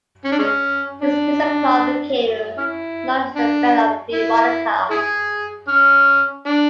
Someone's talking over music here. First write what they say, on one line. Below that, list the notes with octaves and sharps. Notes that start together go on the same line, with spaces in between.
This piece of cloth became known as the Veil of Veronica.
C#4
D4
G#3 C#4
D4
C#4 E4
D4
E4
E4 G#4
C#4
D4